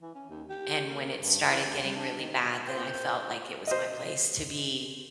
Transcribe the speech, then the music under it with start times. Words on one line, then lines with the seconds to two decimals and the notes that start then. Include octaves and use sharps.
and when it started getting really bad, then I felt like it was my place to be
0.02 E3
0.15 C#4
0.30 D#2
0.50 G4
0.89 A#3
1.21 G2
1.47 E3
1.65 D2
1.84 G3
1.96 D4
2.18 D#3
2.67 A#2 C5 G5
3.67 C5 D#5